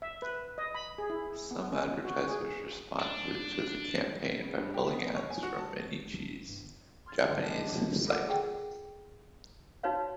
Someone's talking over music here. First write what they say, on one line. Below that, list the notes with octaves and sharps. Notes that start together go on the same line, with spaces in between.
Some advertisers responded to the campaign by pulling ads from "Mainichi"'s Japanese site.
E5
B4
D#5
B5
G#4
E4
B3
C#4
F#4
G#4
D4
C#3
G2
G4
B3
C#5
G#5
F#4
A5
A1
C2
F#1
G2
G1
C6 F6 G#6 A6
G#2 D3 E3 A3 B3 C4
F#2 D#3 A3 B3
B3 D4 D#4
F4 A4 A#4 F#5 D6
G#4 F#5 G5
D#4 F#4 B4 C#5 F5